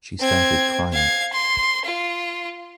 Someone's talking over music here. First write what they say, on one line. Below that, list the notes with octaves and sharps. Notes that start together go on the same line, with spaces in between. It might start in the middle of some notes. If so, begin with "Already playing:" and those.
She started crying.
C4 G#6
F5 G#6
C6
F4